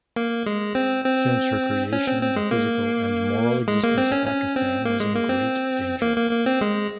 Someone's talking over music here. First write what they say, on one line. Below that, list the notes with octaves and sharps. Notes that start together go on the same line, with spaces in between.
Since her creation, the physical and moral existence of Pakistan was in great danger.
A#3
G#3
C4
C4
C#4
C4
C4
G#3
A#3
G#3
A#3
C4
C#4
C#4
C4
A#3
G#3
A#3
C4
A#3
A#3
A#3
C4
G#3